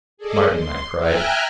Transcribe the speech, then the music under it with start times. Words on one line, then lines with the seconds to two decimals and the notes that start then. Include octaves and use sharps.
"Martin," I cried.
0.17 G#4 A4 D5 D#5
0.51 C6
0.97 E5 G5 G#5 A#5 F6 F#6